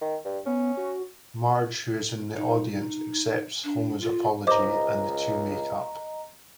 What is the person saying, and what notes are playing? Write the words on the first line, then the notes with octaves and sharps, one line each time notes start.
Marge, who is in the audience, accepts Homer's apology and the two make up.
D#3
G2
B3 C#4
F#4
D#4
D4
F4
C#2 C5 D#5 A#5 D6